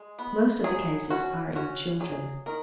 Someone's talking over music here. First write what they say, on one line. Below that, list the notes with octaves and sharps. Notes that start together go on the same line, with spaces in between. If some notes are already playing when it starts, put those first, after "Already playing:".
Most of the cases are in children.
Already playing: G#3
B3
F#3 G#4
C#4 F#4
C#4 F#4
F#3 G#4
D#3 A#4